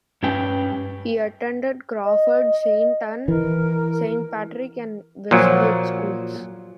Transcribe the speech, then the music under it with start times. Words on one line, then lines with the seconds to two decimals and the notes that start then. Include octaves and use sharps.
He attended Crawford, Saint Ann, Saint Patrick, and Westgate schools.
0.23 G2 C#4 G4 B4 G5
2.04 D#5
3.28 E3 A#4
5.31 A#2 F3 F#3